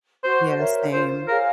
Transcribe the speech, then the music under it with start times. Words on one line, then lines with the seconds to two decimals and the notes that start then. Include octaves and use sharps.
Yeah, same.
0.24 F#4 C5
0.58 A#4 C#5 E5
0.92 F4 C5
1.27 G#4 A#4 C#5 F5